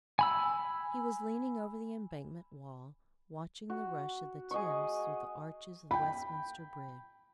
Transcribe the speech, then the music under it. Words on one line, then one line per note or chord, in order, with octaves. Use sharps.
He was leaning over the Embankment wall, watching the rush of the Thames through the arches of Westminster Bridge.
G#5 B5 E6
F#4
G#4 D#5 F#5 C#6
G5 B5